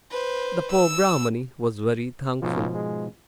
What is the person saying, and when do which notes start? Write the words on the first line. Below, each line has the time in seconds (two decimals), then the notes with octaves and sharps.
The poor Brahmani was very thankful.
0.11 B4 C5
0.72 E6
2.42 C#2 G#2 B2 F3
2.75 G#3